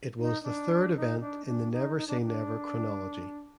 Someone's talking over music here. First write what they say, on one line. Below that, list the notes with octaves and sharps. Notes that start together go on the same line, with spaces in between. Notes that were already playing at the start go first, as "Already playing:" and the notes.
It was the third event in the Never Say Never chronology.
D#4
D4
D#4
D4
D4
D#4
D#4
D4
D4